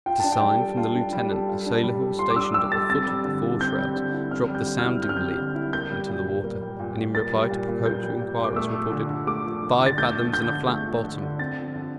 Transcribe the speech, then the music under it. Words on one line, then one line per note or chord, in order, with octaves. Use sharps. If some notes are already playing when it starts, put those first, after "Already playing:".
At a sign from the lieutenant, a sailor who was stationed at the foot of the fore-shrouds dropped the sounding-lead into the water, and in reply to Procope's inquiries, reported--"Five fathoms and a flat bottom."
F4 G5
D4 A5
G5
G3
A4
F4 A5
D4
G3
A4
F4
D4
G3
A4
F4 C6
D6
D4 E6
G3 E6
A4 A6
C4 A6
G3
D3
E4
C4 G6
G3
D3
E4
C4 F6
G3
G6
D3
F6
E4
C4 G6
F6
G3 G6
D3
E4
A#3 G6
G3
A#2
A#2
A#3
G3
A#2
A#2
A#3 A6
G3
A#2
A#2
A#3 G6
G3
A#2
A#2
D6
A3 E6
F3
D3
D3
A3 D6
F3
D3
D3
A6
A3 G6
F3
D3 G6
D3
A3
F3
D3
D3
C4 A6
F3
D3